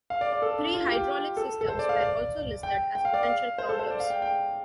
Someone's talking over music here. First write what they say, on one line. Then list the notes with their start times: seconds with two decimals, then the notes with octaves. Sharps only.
Three hydraulic systems were also listed as potential problems.
0.10 F5
0.21 D5
0.32 D5
0.42 A4
0.58 D4
0.74 F4
0.86 F4
0.89 G4
1.37 A4
1.61 A4
1.68 C5
1.79 D5
1.89 F5
2.01 D5
2.63 G5
2.95 G5
3.05 F5
3.14 D5
3.23 F5
3.58 C5
3.69 A4
3.79 C5
3.90 D5
4.00 F5
4.10 G5
4.22 G5